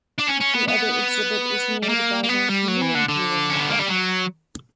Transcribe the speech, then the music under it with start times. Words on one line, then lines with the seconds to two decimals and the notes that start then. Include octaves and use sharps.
The other exhibit is near the garden's 'Moon-Viewing' deck.
0.19 D4
0.28 C#4
0.41 C#4
0.55 B3
0.68 B3
1.82 G3
1.89 A#3
2.23 A#3
2.29 B3
2.49 G3
2.68 F#3
2.81 E3
2.95 D3
3.09 D3
3.50 C#4
3.60 B3
3.70 A#3
3.79 G3
3.89 F#3